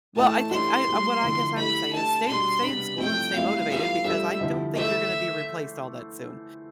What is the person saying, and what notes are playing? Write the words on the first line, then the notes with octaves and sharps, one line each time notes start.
Well, I think, I uh, what I guess I would say, is stay stay in school, and stay motivated, because I don't think you're gonna be replaced all that soon.
A2 E3 A3 A5
A2 E3 A3 D4 G4 C6
A2 G3 B3
D3 F3 A3 E4
A3 E4 G4 B5
A3 D4 G4 A5
B2 G3 D4 C6
C3 G3 B3 D4 B5
A2 F3 A3 C4 G5
A2 G3 C4 E4 F5
E3 G3 B3 F4 A4 F5
G3 D4 F4 A4 C5 E5
D3 F3 B3 E4 G4
E3 A3 E4 A4 C5 E5